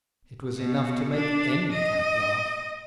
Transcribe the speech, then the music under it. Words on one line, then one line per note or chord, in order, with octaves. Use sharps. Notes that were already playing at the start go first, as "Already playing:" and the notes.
It was enough to make any cat laugh.
B2
D4
D#5